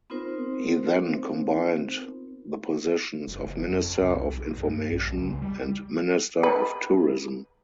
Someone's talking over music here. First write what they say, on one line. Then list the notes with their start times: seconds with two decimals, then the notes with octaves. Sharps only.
He then combined the positions of Minister of Information and Minister of Tourism.
0.10 B3 C4 D#4 F4 A#4 C5
3.28 F#1
3.46 F#1
3.69 F2
4.01 C2
4.33 B1
4.58 G2
4.92 A#1
5.17 C#2
5.42 G3
6.43 B4